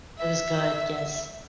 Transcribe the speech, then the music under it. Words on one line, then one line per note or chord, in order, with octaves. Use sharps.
It was good, yes.
E5